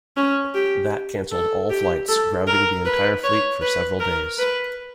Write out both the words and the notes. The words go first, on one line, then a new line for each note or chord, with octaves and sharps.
That cancelled all flights, grounding the entire fleet for several days.
C#4
G4
A4
G4
A4
A#4
B4
C#5
B4
A#4
B4